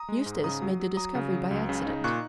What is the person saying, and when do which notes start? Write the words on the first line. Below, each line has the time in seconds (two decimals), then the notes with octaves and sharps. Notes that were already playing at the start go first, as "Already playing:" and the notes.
Eustace made the discovery by accident.
Already playing: A#5 D#6
0.09 G#3
0.26 G#2
0.44 C#3 A#5 D#6
0.62 F#3
0.80 F#3
0.97 F#3 A#5 D#6
1.15 C#3
1.33 F#3
1.51 C#2
1.69 C#3
1.86 D#4
2.04 A#2 C#6 F#6